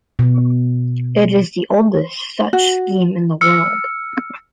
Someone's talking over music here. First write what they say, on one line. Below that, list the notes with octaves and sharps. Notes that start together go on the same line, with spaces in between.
It is the oldest such scheme in the world.
B2
F#4
E6 F6 C#7